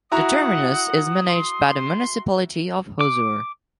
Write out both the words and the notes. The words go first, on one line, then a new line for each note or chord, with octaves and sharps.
The terminus is managed by the municipality of Hosur.
E4 F#4 F#5 A#5 D#6
C6
D6